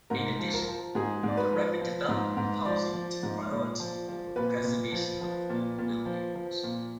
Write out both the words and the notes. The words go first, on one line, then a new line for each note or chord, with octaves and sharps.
In addition, the rapid development of housing took priority over preservation of old buildings.
G#2 A#4
F3
A#4
F3
G#2 G#4
G#2 D5
B4
F3
F3
G#2
G#2
F3 D5
F3
G#2
A#2
F3
F3
A#2 B4
A#2
F3
F3
A#2
A#2
F3
F3
A#2